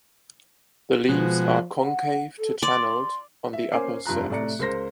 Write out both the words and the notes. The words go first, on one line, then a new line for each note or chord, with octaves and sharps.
The leaves are concave to channelled on the upper surface.
B2 F3 G#3 F#4
F#5
A4
D5 C6
E5
A#3 C#4 C5 G#5 D6 C7
F1 G2 F4 A#5 F#6
A2 C3 D5 A#5 C#7
C#2 A#4 C5 A#6